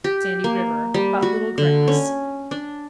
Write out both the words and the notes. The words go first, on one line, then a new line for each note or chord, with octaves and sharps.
Sandy River.--But little grass.
G4
A#3
G3
F#4
D3
C#4
D4